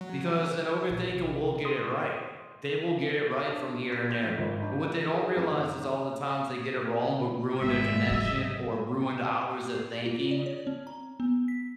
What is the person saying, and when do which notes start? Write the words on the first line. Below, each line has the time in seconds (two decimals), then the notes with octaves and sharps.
Because an overthinker will get it right. They will get it right from here and there. But what they don't realize is all the times they get it wrong, but ruined their connection or ruined hours of thinking,
0.01 F#3
0.91 A#1
1.15 C3
1.65 C6 D#6
3.35 C#5
3.51 D4
3.92 B6
4.10 G6
4.25 F3
4.38 G#1
4.62 D4
4.96 A#4
5.12 G#4
5.36 F#2
5.51 D#3
7.61 G#1 C3 G#3 B3 C4 E5
8.10 F#3 D#5
9.75 G4
10.06 F4
10.31 D5
10.46 C#5
10.67 C4
10.87 A#5
11.20 B3
11.48 B6